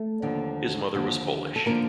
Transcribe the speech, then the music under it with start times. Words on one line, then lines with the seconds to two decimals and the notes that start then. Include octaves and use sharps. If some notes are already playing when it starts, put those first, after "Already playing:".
His mother was Polish.
Already playing: A3 A4
0.22 D#2 D3 F3
0.94 D#2 D3 F3
1.56 A4
1.66 D3 F3 A#3 A#4